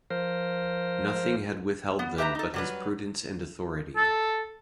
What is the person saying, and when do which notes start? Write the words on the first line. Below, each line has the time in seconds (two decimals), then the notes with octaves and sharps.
Nothing had withheld them but his prudence and authority.
0.10 F3 A#4 C5
1.99 B3
2.18 G4 B4 E5 G#5 A#5
2.35 D#4 A4
2.54 F#3 G3 B4
3.97 A4